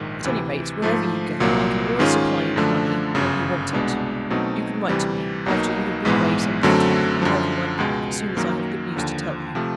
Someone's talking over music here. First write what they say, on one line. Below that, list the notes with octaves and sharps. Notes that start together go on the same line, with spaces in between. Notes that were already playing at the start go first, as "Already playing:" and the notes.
At any rate, wherever you go, I can always supply you with money, when you want it; you can write to me, after you have been away some little time, and I can write back, as soon as I have good news to tell you.
Already playing: A#1 G#2 D#3
D2 C3 E3
G#2 F3 A3
C2 A#2 F#3 A#3
G#2 D#3 G#3 C#4 F4
F#2 D3 F3 A3 D4
G1 F#2 C#3
C2 B2 G#3 B3 D4
B2 F#3 A3 C4 D#4
D2 C3 E3 G3
B1 B2 F#3 A#3 D#4
A#1 G#2 E3 G#3 B3
F#2 D3 F#3 A3 C4
F#2 D3 F3
C#2 B2 G#3
F#2 D#3 F#3 A#3
D#2 D3 F3
C3 F3 A3